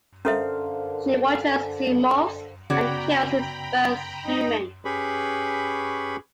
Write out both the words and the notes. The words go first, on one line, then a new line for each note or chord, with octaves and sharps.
She watches as he morphs and kills his first human.
D3 C#4 A4 A#4 C5 E5 F5
C#3 B3 F#4 D5 G5 A#5 B5 G#6
D#4
C#4 G4 G#4 B4 B5 C#6